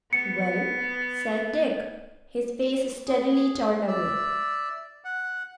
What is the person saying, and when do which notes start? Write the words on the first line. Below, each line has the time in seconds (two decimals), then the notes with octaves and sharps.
'Well?' said Dick, his face steadily turned away.
0.13 B3 C#7
3.07 G#4
3.88 D5 E5
5.04 F#5